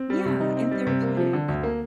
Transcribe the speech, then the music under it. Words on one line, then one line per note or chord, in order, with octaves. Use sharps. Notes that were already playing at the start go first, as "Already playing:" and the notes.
Yeah, and therapeutic.
Already playing: C4
G3
C3
D#4
C4
G3
C3
A#3
F3
D3
D2
A#3